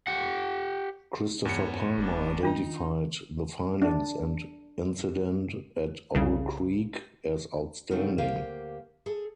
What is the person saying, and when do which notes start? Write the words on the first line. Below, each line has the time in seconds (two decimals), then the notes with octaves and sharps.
Christopher Palmer identified "The Findings" and "Incident at Owl Creek" as "outstanding".
0.07 G4 F#5
1.45 E2 G2 B3 C#5 C#7
1.97 F#1 B3 D4
2.43 D#3 D4 D#4 F4
3.82 D4
6.15 C2 C#3
7.91 C#3 F#3 C4 D#4 A4 A#4
8.18 D2 A#3 G4 A#4 C5 F5
9.06 G#4 A4